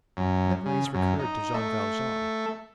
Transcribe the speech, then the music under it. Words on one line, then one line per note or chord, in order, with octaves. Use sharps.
Memories recurred to Jean Valjean.
F#2
C#3
F#2
D#4
A3